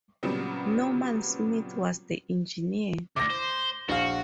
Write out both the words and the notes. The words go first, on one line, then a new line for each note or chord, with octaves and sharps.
Norman Smith was the engineer.
A#2 C#3 F#3 G3 B3 C4
D2 C3 D6 A#6
C5
A#1 F#4 F5